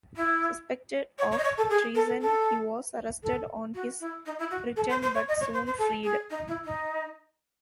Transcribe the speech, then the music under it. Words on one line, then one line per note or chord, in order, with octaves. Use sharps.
Suspected of treason, he was arrested on his return but soon freed.
E4
C#5
C#5
D#5
C#5
A4
G#4
A4
A4
A4
F#4
E4
D#4
E4
F#4
A4
C5
C5
C#5
D#5
C#5
C5
C5
A4
G#4
D#4
E4
D#4